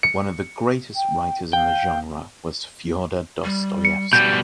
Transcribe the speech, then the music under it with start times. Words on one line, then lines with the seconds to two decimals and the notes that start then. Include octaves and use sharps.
One of the greatest writers of the genre was Fyodor Dostoyevsky.
0.03 C#7
0.95 G5
1.53 F5 G5
3.44 G3
3.85 C#7
4.13 B2 G3 G6